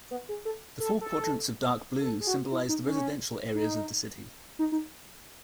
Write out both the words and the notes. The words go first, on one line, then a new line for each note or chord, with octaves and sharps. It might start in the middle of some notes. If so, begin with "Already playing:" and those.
The four quadrants of dark blue symbolize the residential areas of the city.
B3
G#4
A4
A4
A4
A4
G#4
F#4
E4
D#4
C#4
D#4
D#4
D#4